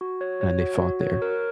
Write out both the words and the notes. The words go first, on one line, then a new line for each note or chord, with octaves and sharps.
and they fought there
F#4
C#5
C#5
F#4
F#4
C#5
A#4